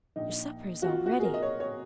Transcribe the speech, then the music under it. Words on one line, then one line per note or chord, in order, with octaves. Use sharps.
Your supper is all ready.
A#1 A#2 D#4
F#4
F4
F#4
G#4
A#4
D#5
C#5
C#5